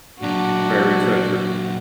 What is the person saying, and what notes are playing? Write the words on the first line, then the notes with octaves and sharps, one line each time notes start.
buried treasure,
A#2 F#3 D4 F#4